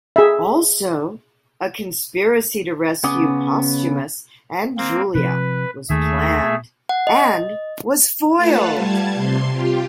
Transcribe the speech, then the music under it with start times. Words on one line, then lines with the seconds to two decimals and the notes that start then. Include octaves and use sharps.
Also, a conspiracy to rescue Postumus and Julia was planned and was foiled.
0.16 G#4 E5
3.04 C#3 B3 C#4 D6 D#6
4.77 A#3 C4
5.15 C3 F3 B4
5.90 D#2 D#3 A3 G#4 E5
6.89 F#5
7.07 D#5
8.36 A3 F4 B4 F5 F#5 A5
8.76 G3 A5 G#6
9.14 C3 C6
9.53 F4 G4